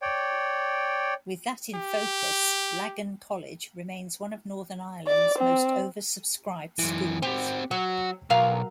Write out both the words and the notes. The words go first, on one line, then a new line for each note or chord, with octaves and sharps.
With that in focus, Lagan College remains one of Northern Ireland's most oversubscribed schools.
C#5 D5 G5
G4
D5
C4
F#2 E3
C4 F#4 G4
F#3 F#4
B1 F#3 A#4 F5